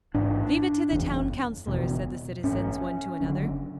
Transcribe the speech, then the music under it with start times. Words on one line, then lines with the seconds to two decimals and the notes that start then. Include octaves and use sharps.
'Leave it to the Town Counsellor,' said the citizens one to another.
0.14 A1 G#2 D4
0.91 F#1 E2 C#3
1.67 F#1 E2 B2
2.44 A1 G#2 C#4
3.20 F#1 F#2 D3